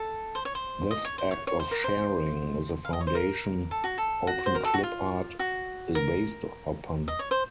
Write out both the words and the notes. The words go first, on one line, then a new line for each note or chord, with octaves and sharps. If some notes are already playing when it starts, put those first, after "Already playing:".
This act of "sharing" is the foundation Openclipart is based upon.
Already playing: A4
C5
C#5
C5
D#5
C#5
C5
C#5
C#5
C5
A#4
C5
F5
D#5
C#5
C5
A#4
A4
F#4
A4
F#4
C5
A#4
A4
F#4
F4
F#4
A#4
D#5
C#5
C5